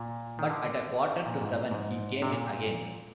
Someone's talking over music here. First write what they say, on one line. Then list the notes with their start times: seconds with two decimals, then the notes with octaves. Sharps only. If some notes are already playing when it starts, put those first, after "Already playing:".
But at a quarter to seven he came in again.
Already playing: A#2
0.39 D#3
0.50 D3
1.26 A#2
1.41 G#2
1.71 G#2
2.22 C3
2.31 A#2